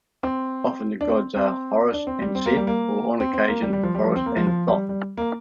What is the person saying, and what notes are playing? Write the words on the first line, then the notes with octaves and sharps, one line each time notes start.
Often the gods are Horus and Set, or on occasion Horus and Thoth.
C4
D4
C4
C4
D4
C4
G3
C4
A#3
G3
A#3
C4
C4
A#3
G3
G3
F3
G3
F3
C4
A#3
F3
F3
G3
G3
A#3